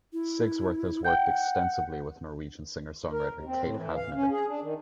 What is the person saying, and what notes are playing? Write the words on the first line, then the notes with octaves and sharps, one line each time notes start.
Sigsworth has worked extensively with Norwegian singer-songwriter Kate Havnevik.
E4
F#5 G5 G6
A#4
D#2
C4
A2
E3
F5
C#4
G#4
D4
D#3